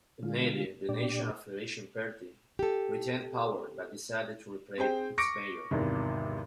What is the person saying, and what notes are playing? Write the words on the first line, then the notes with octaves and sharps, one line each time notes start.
In Nadi, the National Federation Party retained power, but decided to replace its Mayor.
D3 G#3 F4
A#2 D4 G4 D5
G4 A4
C4 G#4 C5 G5
C#6 D6 A#6 C#7 D7
G#1 E2 C3